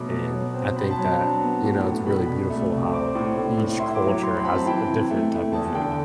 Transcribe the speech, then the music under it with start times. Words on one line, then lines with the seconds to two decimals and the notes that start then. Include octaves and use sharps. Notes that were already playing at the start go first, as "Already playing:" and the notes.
and I think that, you know, it's really beautiful how each culture has a different type of food.
Already playing: B2 F#3 A3 B5 D6
0.10 B2
0.33 F#3
0.54 C4
0.77 C4 B5
0.90 A5
0.98 F#3
1.05 A5
1.19 D4
1.41 B3
1.63 A2
1.84 A2
2.06 B2 B5
2.28 C2
2.50 A3
2.71 C2
2.93 C4 D6
3.15 A2
3.36 A2
3.57 A2
3.79 E4 C6
3.95 D6
4.02 F#3
4.23 F#3 C6
4.34 B5
4.44 C4 B5
4.55 A5
4.66 E3 G5
4.88 C3
5.11 A3
5.32 A3
5.53 E2 A5
5.75 D3 G5